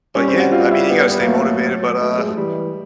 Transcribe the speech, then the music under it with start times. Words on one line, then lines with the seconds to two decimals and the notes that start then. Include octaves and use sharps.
But yeah, I mean, you gotta stay motivated, but, uh,
0.15 G3 C#4
0.28 C4
0.40 F#4
0.52 F4
0.71 E4
0.90 B3
1.08 B3
1.21 A#3
1.26 F#3 A3
2.01 F#3 A3
2.18 G#3
2.30 G#3
2.36 E3 G3